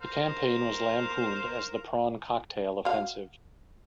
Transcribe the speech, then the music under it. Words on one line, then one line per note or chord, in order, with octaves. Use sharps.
The campaign was lampooned as the "Prawn Cocktail Offensive".
A#4 C5 F5
F#4 F5